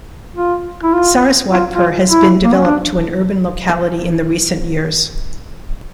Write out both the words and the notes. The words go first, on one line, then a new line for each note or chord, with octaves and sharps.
Saraswatpur has been developed to an urban locality in the recent years.
F4
E4
F4
F4
F4
E4
A#3
C#4
D4